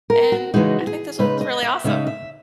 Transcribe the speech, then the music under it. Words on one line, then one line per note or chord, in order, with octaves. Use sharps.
and I think this was really awesome.
A#4
F#4
C#3 E3 G#3 D#4 F#4
G#4
C#3 G#3 D#4 B4
D#5
E5
C#3 G#3 D#4 E5
E5